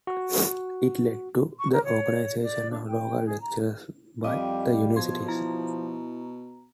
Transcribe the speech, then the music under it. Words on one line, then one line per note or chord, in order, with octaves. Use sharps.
It led to the organisation of local lectures by the universities.
F#4
C#6
A#4
C#5
D5
D4
G5
G#4
A#5
F2 G3 D#5 F5 D6
B2 F3 C6 G#6
E4 A#5